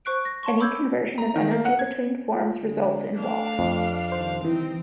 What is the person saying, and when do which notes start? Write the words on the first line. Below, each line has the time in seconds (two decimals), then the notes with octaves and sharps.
Any conversion of energy between forms results in loss.
0.05 C5 C#6 F#6 D7
0.25 A#6
0.43 C#5 A5 C6 C#6
0.60 B5 D6 E6 G6 G#6
1.18 A#5
1.36 D#3
1.51 A#3
1.65 F#5
1.79 G#6
2.31 F4
2.63 D3 G#3
3.18 A3 D4 F5
3.59 F2
4.12 C2 D#3 C5
4.44 E3 C4 D#4